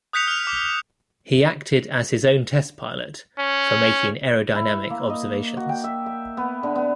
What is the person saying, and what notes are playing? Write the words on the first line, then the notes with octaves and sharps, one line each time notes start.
He acted as his own test pilot for making aerodynamic observations.
D#6 F#6 G6 B6 C#7 F7
F6 F7
D6
C#4
E4
A#3
D#5
F#4
G5
E5
E5
B3
D3
B3